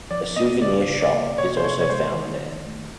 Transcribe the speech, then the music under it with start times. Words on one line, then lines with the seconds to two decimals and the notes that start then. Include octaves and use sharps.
A souvenir shop is also found there.
0.11 F3 D5
0.36 B3 D#5
0.62 C#3 D5
0.87 C#3
1.00 D5
1.13 A#3
1.38 C3 C#5
1.57 C5
1.64 C3 C#5
1.80 C#5
1.90 G#3 C5
2.15 D#3
2.41 D#3
2.66 A3